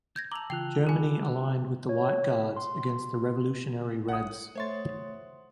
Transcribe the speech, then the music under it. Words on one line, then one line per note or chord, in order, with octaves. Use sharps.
Germany aligned with the White Guards against the revolutionary Reds.
G6 G#6 A#6
A5 A#5 D6 E6 F7 F#7
C#3 E3 F4 G5 F#6 F7 G7
G#4 G#5 B5 D6
C#5
C6
F#5 D#6
A3 C5 C#5 E5 C6 A6